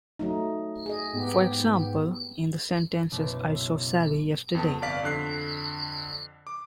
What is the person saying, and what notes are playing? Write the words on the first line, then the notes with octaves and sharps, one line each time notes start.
For example, in the sentences I saw Sally yesterday.
F#3 A3 D#4
G#4 D#5
G#2 B3 G4
F#1 B1
F2 B3 A5
G1 C3 D5 F5 B6
F2 D3 F#6 C7
D6